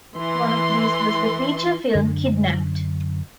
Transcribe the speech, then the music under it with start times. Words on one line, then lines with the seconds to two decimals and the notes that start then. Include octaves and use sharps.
One of these was the feature film "Kidnapped".
0.16 E3 C6
1.95 F#2 D3 D4